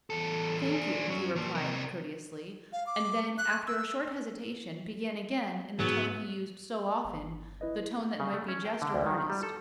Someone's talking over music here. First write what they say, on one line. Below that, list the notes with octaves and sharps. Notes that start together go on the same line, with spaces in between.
"Thank you," he replied, courteously, and then, after a short hesitation, began again, in the tone he used so often--the tone that might be jest or earnest.
E2 A4
D4 G#4
F#3 C#4
F3 A#3
C3 A#4
F5
D6
F#6
E6
G#2 F#3 B3 G#4
G1
E4 B4 D#5
C#3
A3
C#4
G5
D3
D2
D#3
D#3
G3
A4